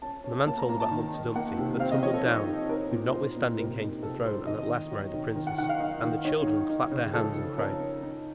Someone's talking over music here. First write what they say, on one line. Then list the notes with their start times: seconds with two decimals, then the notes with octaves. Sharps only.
And the man told about Humpy-Dumpy that tumbled down, who notwithstanding came to the throne, and at last married the princess. And the children clapped their hands, and cried.
0.02 C#4 A5
0.24 C#4
0.47 A#3 A5
0.58 A#5
0.69 A#3 A#5
0.80 A5
0.91 D#3
1.14 D#4
1.36 A#3 F#5
1.57 C3
1.80 C4 F5
1.92 D#5
2.02 F3 C#5
2.13 A4
2.25 D#4
2.47 D#4
2.69 C4 A#4
2.91 A#2
3.13 A#2 C5
3.36 A#2
3.58 C3 A#4
3.80 D#4
4.02 C3 A4
4.25 F#3 C5
4.47 D#3 D#5
4.69 D#3
4.91 F#3
5.14 D#3
5.36 D#3
5.47 F#5
5.58 D#3 F#5
5.69 F5
5.80 D#4
6.02 D#3
6.25 D#4 C#5
6.47 D#4
6.70 D#4
6.91 C#3
7.13 F3 A4
7.36 F3
7.58 C#4 A#4
7.80 C#4
8.03 D#4